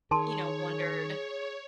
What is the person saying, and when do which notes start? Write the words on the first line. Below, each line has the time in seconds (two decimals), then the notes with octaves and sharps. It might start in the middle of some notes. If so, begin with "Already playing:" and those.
you know, wondered
0.11 D#3 G#4 A#4 C#5 A5 C6